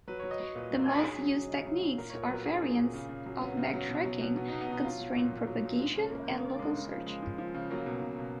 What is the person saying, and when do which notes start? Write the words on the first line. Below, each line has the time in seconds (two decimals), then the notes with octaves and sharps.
The most used techniques are variants of backtracking, constraint propagation, and local search.
0.08 F#3 B4
0.19 F#3 C#5
0.31 D#5
0.40 F#3 C#5
0.55 A#2 B4
0.71 F#3
0.79 A#4
0.87 F#3
1.03 F#3 G#4
1.19 F#3
1.34 F#3
1.51 C#3
1.66 F#3
1.82 F#3
1.98 A#2 A#4
2.10 A#2 C#5
2.22 B4
2.30 F#3 A#4
2.46 F#3 G#4
2.61 A#2
2.78 A#2
2.94 C#3
3.09 C#3
3.26 F#3
3.41 F#3 B3
3.57 C#3
3.73 F#3
3.89 B2
4.05 F#3
4.21 B2
4.36 F#3 B3
4.48 B2 D#4
4.61 B3
4.69 B2 D#4
4.84 F#3 F4
5.00 F#3
5.16 A#2
5.32 A#2
5.47 F#3
5.64 A#2
5.80 G#3
5.96 C#3 C#4
6.11 C#3 A#3
6.27 G#3 A#3
6.43 C#3
6.59 G#3
6.75 C#3
6.91 F3
7.06 G#3
7.22 F3
7.38 F3
7.54 C#3
7.70 F#3 A#3
7.86 B2
8.02 B2
8.18 B2